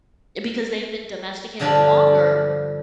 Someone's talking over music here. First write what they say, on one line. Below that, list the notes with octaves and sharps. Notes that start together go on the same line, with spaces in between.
because they've been domesticated longer,
G2 D3 F3 D4 F4 B5